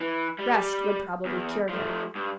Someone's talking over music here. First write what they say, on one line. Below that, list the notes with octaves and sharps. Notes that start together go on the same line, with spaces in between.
Rest would probably cure him.
E3
G3
E2
F3 A3
G2